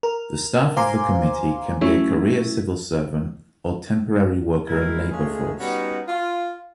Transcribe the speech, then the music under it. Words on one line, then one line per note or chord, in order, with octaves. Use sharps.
The staff of the committee can be a career civil servant or temporary worker and labor force.
A#4
C5 F5 G#5 A#5 C6 D6
F#3 A3 C#4 E4
B2 G#3 E4 A#4
G#3 A3 C#4 F4 G#4
G3 B3 C#4 D#4 F#4
F4